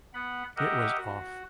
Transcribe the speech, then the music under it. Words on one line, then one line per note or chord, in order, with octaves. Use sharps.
It was off.
B3 F#5 B5
G4 A#4 D#5 E5 F#5
F#4